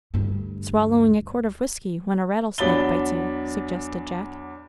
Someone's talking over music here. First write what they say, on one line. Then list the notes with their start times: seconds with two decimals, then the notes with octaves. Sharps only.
"Swallowing a quart of whiskey when a rattlesnake bites you," suggested Jack.
0.14 D2 G2
2.58 E2 F#3 D4 B5 A6 G7